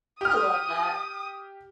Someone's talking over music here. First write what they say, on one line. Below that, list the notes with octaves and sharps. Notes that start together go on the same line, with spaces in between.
I love that.
G4 D#6 F6